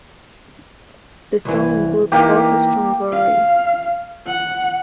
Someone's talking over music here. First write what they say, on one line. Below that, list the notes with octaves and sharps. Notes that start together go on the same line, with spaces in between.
The song includes vocals from Vory.
C2 E3
E3 A#3 D#4 G4
F5
F#5